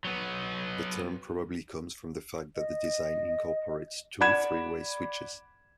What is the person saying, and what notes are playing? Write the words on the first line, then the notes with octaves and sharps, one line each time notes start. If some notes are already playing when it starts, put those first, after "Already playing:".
The term probably comes from the fact that the design incorporates two "three-way" switches.
F#3 B3
D#5
D5 F#5 B5 G#6 E7